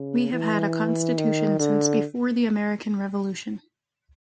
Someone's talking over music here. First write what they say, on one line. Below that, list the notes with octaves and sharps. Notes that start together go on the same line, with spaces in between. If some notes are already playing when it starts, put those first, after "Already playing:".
We have had a constitution since before the American revolution.
Already playing: C#3
E3
D#3
D3